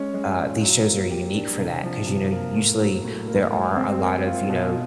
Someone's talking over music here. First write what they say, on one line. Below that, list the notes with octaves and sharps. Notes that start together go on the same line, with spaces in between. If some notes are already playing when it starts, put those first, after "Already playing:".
uh, these shows are unique for that. 'Cause, you know, usually there are a lot of, you know,
Already playing: G#3 C#4
G#3
F4
F#3
A#3
G4
D4
C3
F3
C3
A#3
A2
F#3
A2
A#3
G#3
C4
A#4
F4
B2